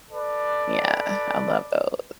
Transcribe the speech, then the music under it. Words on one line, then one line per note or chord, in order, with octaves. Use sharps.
Yeah, I love those.
A4 B4 D5